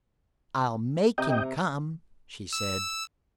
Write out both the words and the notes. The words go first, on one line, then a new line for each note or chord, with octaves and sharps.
"I'll make him come," she said.
C3 D#5 G5 A#5
E6